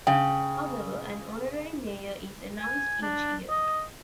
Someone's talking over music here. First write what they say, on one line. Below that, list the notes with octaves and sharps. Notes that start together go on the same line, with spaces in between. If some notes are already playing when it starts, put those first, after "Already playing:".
However, an Honorary Mayor is announced each year.
C#3 G5
G#5
D4
D#5